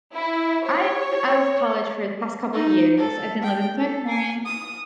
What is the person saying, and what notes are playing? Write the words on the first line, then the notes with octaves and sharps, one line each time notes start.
I'm out of college for the past couple years. I've been living with my parents,
E4
C#5
D#4
A4
G5
A4
G#5
D#6